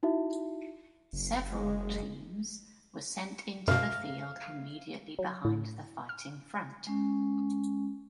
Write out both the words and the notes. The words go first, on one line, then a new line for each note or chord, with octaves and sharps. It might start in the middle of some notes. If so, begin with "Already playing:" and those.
Several teams were sent into the field immediately behind the fighting front.
D#4 E4 F#4 E5
F#1
G#3
F#2 B2 F5
F#3
A2
F6
G#3 C#4